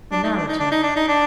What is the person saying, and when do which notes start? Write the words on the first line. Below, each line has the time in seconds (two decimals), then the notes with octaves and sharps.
The Narrative.
0.12 D4
0.24 D#4
0.37 D4
0.48 D#4
0.59 D4
0.71 D#4
0.83 D4
0.96 D#4
1.08 D4